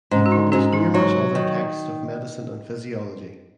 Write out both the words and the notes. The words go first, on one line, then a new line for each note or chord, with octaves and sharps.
He published numerous other texts of medicine and physiology.
G#2 C#4
F#4
D#4
G#2 C#4 F#4
D#4 G#4
F#3 D#4
D#3